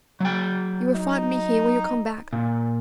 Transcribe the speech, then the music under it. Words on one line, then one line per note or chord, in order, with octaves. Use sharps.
"You will find me here when you come back."
F#3 G5
D#4
A#2